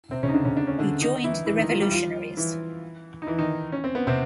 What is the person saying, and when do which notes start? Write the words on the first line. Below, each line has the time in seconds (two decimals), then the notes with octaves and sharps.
He joined the Revolutionaries.
0.11 C3 C4
0.23 C#3 C#4
0.28 D#4
0.34 D3 D4
0.45 C#3 C#4
0.57 D4
0.67 C#4
0.79 D3 D4
1.01 D#3 D#4
1.24 E3 E4
1.46 E3 E4
1.58 D#3 D#4
1.69 F3 F4
1.80 G3 G4
1.91 F3 F4
2.37 E3 E4
3.22 D#4
3.27 E3 E4
3.38 D#3 D#4
3.72 C#4
3.84 C4
3.95 B3
4.07 C3 C4